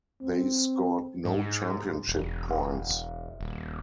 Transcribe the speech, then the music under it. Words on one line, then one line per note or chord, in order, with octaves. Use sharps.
They scored no championship points.
C4
G#2
E1
D#1